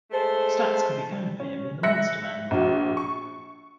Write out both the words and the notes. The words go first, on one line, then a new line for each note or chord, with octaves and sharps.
Stats can be found for him in the Monster Manual.
G#3 A3 A4 C5
C#4
E5 F#6 A#6 C#7
A#1 F#4
C#6